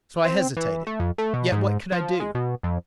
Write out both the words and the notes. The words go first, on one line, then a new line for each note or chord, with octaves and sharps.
So I hesitated, yet what could I do?
C4
E3
A3
F2
A3
B2
G#2
F3
G#3
B2
F2